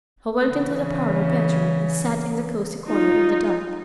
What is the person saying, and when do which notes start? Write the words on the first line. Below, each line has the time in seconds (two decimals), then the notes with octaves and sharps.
I went into the parlor bedroom and sat in the cozy corner in the dark.
0.47 C#3 E3
2.87 D#4 F4